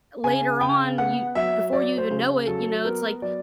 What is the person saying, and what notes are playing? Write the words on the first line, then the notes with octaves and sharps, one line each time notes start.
th later on, you before you even know it, you know, it's, like,
C#3 G#5
C#3 G5
B3 F#5
F#3 E5
F#3 D5
C5
C#3
F#3 A4
B3 A#4
F#3 D5